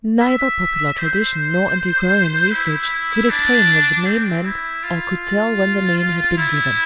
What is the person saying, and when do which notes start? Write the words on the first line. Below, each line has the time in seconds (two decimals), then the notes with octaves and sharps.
Neither popular tradition nor antiquarian research could explain what the name meant, or could tell when the name had been given.
0.21 E5
0.98 C5
2.52 E4
3.30 D4
4.06 C4
4.45 E4
4.83 F4
6.37 E4